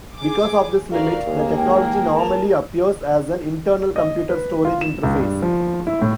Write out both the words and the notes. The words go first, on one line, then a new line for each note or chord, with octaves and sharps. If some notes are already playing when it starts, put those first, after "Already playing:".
Because of this limit, the technology normally appears as an internal computer storage interface.
G#4 D6
D2 F#4 A#4 D5 F5
D#2 G#3 A#3 G#4
G5
A#4 A5
D#5
B4
F4
E7
C#2
G2
F3
E4
A2